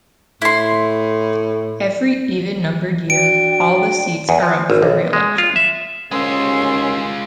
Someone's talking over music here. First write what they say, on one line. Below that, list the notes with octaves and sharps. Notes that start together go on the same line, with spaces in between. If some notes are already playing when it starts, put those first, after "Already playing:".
Every even-numbered year, all the seats are up for re-election.
A2 E4 C6
D4 F#4 G5 D7
E2
F3
G#1
B1
G#3
F4
E5
D#2 G#2 G#3 C#4 F4 G#5 C6 E6